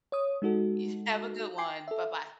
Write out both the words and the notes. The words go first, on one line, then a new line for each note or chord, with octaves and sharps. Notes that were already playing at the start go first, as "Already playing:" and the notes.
Y have a good one, buh-bye.
C#5 D#6
G#3 D#4 F#4 A4
G5 G#5 D6 C7
A4 E5